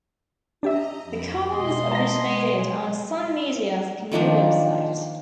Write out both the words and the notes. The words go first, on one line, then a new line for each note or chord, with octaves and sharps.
The column was originated on Sun Media's Canoe website.
D4 G4 D#5 E5 A#5
F2 B5
B2 G#3 G#4 D#5 C6
A5 A#5 A#6
D#3 F3 A#3 D4